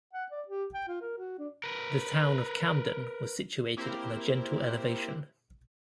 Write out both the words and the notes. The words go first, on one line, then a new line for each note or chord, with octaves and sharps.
The town of Camden was situated on a gentle elevation.
F#5
D5
G4
G5
F4
A#4
F#4
D4
A#4 B4
A#3 C4 E4 G4 A#4 C5